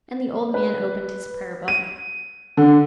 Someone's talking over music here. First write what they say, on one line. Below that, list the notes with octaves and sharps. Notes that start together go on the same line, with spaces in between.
And the old man opened his Prayer-Book.
B4
D#7
D3